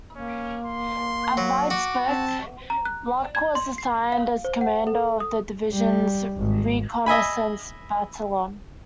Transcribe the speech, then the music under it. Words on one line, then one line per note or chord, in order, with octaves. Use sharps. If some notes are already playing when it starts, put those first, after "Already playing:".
At Vitebsk, Luck was assigned as commander of the division's reconnaissance battalion.
A#3 C#4
C6
F#3
F#4 D6
C4 A5
A#5
F#6
G#6
C6
C7
F5
C5
F#5
A4
D#6
G3
G#1
D#5 E5 G#5 B5